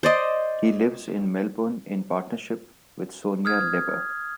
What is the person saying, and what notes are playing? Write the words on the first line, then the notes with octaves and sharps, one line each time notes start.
He lives in Melbourne in partnership with Sonia Leber.
C5 D5 D#5
D#6 F6 G#6